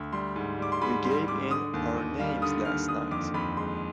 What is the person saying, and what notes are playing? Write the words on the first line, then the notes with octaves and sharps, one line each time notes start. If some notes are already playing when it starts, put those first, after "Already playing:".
We gave in our names last night.
Already playing: D2
G3 C6
G#2
G3 D6
C6
G#2 B5
G3 C6
G#2 D6
D3 D#6
D#2
D#2
G3 F5
D3 D#6
D#2 F6
D3 D#6
F2 D6
F2 B5
G#3 C6